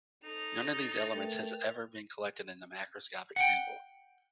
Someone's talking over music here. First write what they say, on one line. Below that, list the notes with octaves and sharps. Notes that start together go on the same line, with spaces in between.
None of these elements has ever been collected in a macroscopic sample.
D#4 A4 A5 A#5 A6 F7
A3 A#4 B4 G5
F#5 G5